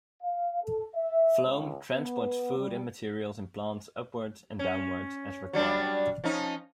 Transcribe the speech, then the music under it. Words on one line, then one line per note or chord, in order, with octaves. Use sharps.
Phloem transports food and materials in plants upwards and downwards as required.
F5
A4
E5
C#2
B3
G3
C#4
F#3 G3 D4
F3 C#4 D#4